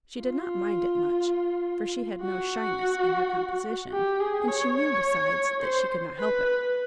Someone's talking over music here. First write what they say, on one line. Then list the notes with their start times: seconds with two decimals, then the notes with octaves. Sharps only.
She did not mind it much; for she had no shyness in her composition; and she knew, besides, that she could not help it.
0.22 F4
2.21 F#4
3.92 G4
4.20 G#4
4.48 C#5
4.77 C#5
5.62 C5
6.19 B4
6.47 B4